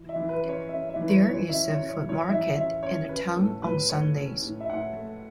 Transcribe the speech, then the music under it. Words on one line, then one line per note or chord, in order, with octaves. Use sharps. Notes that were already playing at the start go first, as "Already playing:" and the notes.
There is a food market in the town on Sundays.
Already playing: E3
E5
E3
B4
C#4
C#5
C#4 E5
E5
E3
B4
C#5
E3
C#5
C#4 E5
C#5
C#4
C#5
E3
C#5
E3 E5
C#4 E5
C#4 C#5
C#4 B4
A2 A4
A2 B4
A3 C#5
C#4
A2
E5
A2 F#5
A3